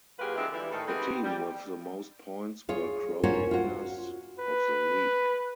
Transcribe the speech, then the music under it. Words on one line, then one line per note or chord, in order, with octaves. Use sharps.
The team with the most points were crowned winners of the league.
A#2 F#3 F4 G4 G#4 B4
D3 F3 G#3 C4 D4 E4
E3 G3 E4
A2 D#3 A4
B3 C4 D#4 G4 G#4 B4
G3
F4 G#4 C#5
C#4 F4 F#4 A#4 C5 C#5
F4 F#4
B4